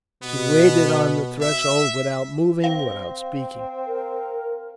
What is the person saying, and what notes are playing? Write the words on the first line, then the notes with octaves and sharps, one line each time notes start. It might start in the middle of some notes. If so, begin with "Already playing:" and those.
She waited on the threshold without moving, without speaking.
B2 B3
E5
C4 F5
A#4